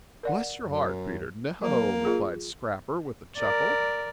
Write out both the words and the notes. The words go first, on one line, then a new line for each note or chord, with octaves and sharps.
"Bless your heart, Peter, no," replied Scrapper with a chuckle.
A#4 D5 F#5
F#2
F#3 A#3
F4 G#4
A#4 D5